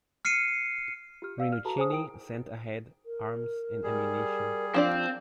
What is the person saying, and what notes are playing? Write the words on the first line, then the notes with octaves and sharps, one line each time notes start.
Rinuccini sent ahead arms and ammunition.
F6 C7 C#7 D#7
F4 G4 F6
D5 F5 E6
F6
F#4 A4 B4 A5 A#5
G#4 C5 G#5 D#6
D#4 E4 A#4 G5 D#6 D7
A#4
G3 G#4
F3 C4 D4 D5 F5